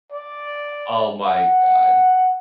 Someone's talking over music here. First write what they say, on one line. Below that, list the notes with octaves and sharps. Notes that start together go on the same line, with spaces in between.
Oh my god.
D5
F#5